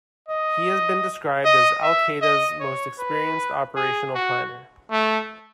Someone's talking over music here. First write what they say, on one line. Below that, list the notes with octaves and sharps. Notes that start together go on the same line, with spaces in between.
He has been described as Al-Qaeda's most experienced operational planner.
D#5
D#5
E5
D#5
C#5
B4
G#4
F#4
A3